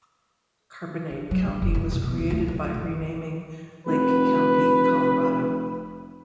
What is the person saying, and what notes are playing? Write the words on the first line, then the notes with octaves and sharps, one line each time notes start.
Carbonate County was created by renaming Lake County, Colorado.
D4
F#3
A#1
F#1
A#1
B2
B2
D#1
D2
F#2
A#1
F1 B4